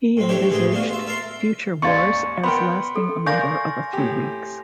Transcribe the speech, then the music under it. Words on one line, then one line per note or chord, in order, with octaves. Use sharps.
He envisaged future wars as lasting a matter of a few weeks.
A2 C4
D4 E4 G4 C5 C#5
A2 E3 G#3 G4 G#4
A3 B3 D4 F4 F#4
F4 E5
A#4 E5 A5 A#5 C6
D#2 G#2 D5 F5 C6 C#6 A6 C#7
B3 A#4 G5 B5 C6
A4
A#4 D5 F5 G#5 C#6 G6 A#6
A2 G4